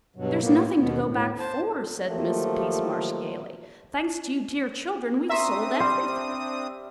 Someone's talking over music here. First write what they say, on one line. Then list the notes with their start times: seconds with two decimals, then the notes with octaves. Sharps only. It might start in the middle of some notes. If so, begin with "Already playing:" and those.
'There's nothing to go back for,' said Miss Peasmarsh gaily; 'thanks to you dear children we've sold everything.'
0.16 G2 B2 F#3
0.40 A2 A#3 B3
0.77 D#2 B2 B3
1.05 A2
1.39 C5 A5
2.08 D#3 F3 F#3 A3 A#3 G4
5.30 C4 D4 E5 A#5 C6 C#6 D#6
5.80 G3 C5